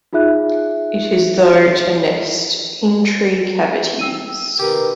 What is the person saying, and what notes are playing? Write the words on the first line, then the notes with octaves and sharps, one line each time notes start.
It is though to nest in tree cavities.
D#4 F4 G#4 E5 F#6
G5 E6 D#7
B2 D#3 G4 A#4 B4